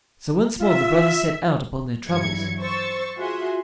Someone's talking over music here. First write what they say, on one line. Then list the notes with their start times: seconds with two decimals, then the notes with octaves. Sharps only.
So once more the brothers set out upon their travels.
0.60 F4 E5
2.07 G2 E3 F#3 E4 G#6 C#7
2.59 C5 C#6 E6 A6
3.19 F4 F#4 G#4 E5 C6